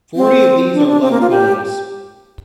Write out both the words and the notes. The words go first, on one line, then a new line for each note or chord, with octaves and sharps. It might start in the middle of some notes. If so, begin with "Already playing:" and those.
Forty of these are love poems.
C4
D4
D4
C4
A#3
F4
G4